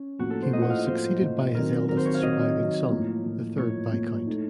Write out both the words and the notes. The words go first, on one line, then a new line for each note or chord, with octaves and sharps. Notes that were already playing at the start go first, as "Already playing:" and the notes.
He was succeeded by his eldest surviving son, the third Viscount.
Already playing: C#4
A2 F3 A#3 F4 F#4
A4
C5
A2 F3 A#3 F4 D#5
F#5
F5
D#5
A2 F3 A#3 F4 C5
A2 F3 A#3 F4
D#3 F#3 C4 A#4
D#3 F#3 C4 A#4
C5
C#5
F5
D#3 F#3 C4 D#5
D#3 F#3 C4
A2 F3 A#3
A2 F3 A#3
A2 F3 A#3 C#5
A2 F3 A#3
A2 A3 D#4